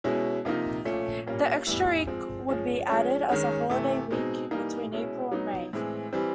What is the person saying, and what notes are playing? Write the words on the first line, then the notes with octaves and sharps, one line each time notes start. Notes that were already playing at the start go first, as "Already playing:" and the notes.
The extra week would be added as a holiday week, between April and May.
B2 G#3 C#4 E4
C3 F3 A#3 D#4
A#2 F3 A3 C#4
A#2 G3 A#3 C#4
A2 E3 G3 B3 E4
F3 G#3 C4
F3 G#3 C#4
F3 G#3 C#4
D#3 G#3 C#4
C3 E3 A3
B2 G#3 C4 D#4
E3 G3 A#3 D#4
B2 G#3 C#4 E4
F#3 B3 D#4
A2 E3 G#3 C4
E3 G3 C4